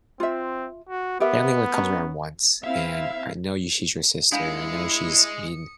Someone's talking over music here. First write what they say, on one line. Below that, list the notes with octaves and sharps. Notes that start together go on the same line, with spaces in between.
family only comes around once and I know y she's your sister, I know she's been
C4 F4 E5
F#4
B3 G4 A#4 E5
C#4 A#5
C4 E4 E5 F5
G#3 D4 E4 F5 B5 D#6 C#7